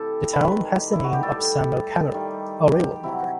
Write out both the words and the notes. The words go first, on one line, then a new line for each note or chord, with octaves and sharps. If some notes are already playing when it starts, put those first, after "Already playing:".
The town has the name of Samuel Cameron, a railroad worker.
Already playing: C3 E3 A3 E4 G4 A4
D#3 G3 B4
E4
F#4
G4
A2 G3 A4
D#3 G3
G4
C3 D#3 F#3 E4